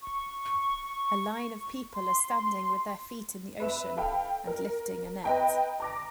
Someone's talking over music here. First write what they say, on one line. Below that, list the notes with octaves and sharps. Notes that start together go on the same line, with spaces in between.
A line of people are standing with their feet in the ocean and lifting a net.
C#6
C6
B4 E5 B5 E7
A4 F5 G5 B5
A#4
B4 D#5 G5 A#5
A#5 D6 A#6